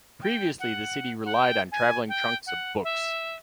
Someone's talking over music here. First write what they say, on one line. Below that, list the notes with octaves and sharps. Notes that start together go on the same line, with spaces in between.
Previously the city relied on traveling trunks of books.
G5
F#5
F#5
G5
G#5
G5
F#5
E5